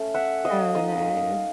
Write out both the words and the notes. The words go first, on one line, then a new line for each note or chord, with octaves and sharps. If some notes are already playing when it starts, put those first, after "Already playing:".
Oh, no.
Already playing: A3 C#4
E5 F#5
D#5 F5
A#3 D#4 D#5 F5